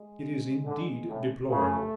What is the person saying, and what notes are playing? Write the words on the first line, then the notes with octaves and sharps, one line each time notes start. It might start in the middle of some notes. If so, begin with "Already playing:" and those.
It is indeed deplorable.
Already playing: G#3
D3
A2
C#3 A3